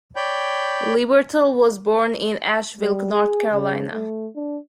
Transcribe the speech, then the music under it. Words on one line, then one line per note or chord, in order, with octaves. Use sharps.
Lieberthal was born in Asheville, North Carolina.
C#5 D5 G5 B5 G6
G3
G#4
C#3
A3
D4